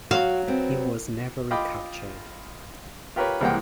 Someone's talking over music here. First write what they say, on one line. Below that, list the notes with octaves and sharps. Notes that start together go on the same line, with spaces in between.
He was never recaptured.
F#3 F#4 F5
B3 C4
F4 D#5 G5 B5 D6
F4 G4 A#4 B4 C#5
C2 E3 G#3 A#3 F#5 G5